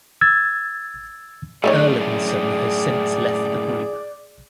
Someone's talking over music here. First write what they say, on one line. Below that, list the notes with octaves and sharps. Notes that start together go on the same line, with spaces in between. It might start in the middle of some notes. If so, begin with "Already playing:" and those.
Erlandson has since left the group.
E6 G#6 A6
F#2 A2 A3 D#4 G#4 C#5 D5